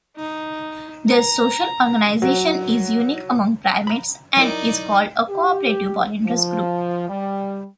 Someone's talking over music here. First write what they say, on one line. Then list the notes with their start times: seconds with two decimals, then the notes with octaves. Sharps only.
Their social organization is unique among primates and is called a "cooperative polyandrous group".
0.16 D#4
1.09 A#5
2.22 F#3
3.87 A#5 B5
4.37 F#3 D#4 E4 A#4 D5
5.29 G4
6.26 F3
7.09 G3